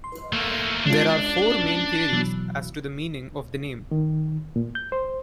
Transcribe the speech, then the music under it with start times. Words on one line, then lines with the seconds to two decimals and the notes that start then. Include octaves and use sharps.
There are four main theories as to the meaning of the name.
0.04 C6
0.33 A3 A#3
0.86 G#3 C#4 D4 F4
2.13 B2 E3 F#3
3.91 D#3
4.56 A#2
4.75 G6
4.92 C5